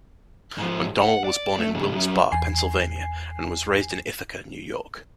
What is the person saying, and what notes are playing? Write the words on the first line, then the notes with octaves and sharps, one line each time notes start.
McDonnell was born in Wilkes-Barre, Pennsylvania, and was raised in Ithaca, New York.
G#2 F3
F#5
D5
A3
C#2 G#2
B1 F#2
E2 G#5 C7